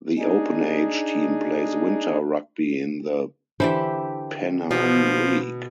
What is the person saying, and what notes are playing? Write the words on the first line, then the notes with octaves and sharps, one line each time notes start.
The Open Age team plays winter rugby in the Pennine League.
D4 D#4 G#4
D3 E3 G4 C5 E5 B5
B2 F3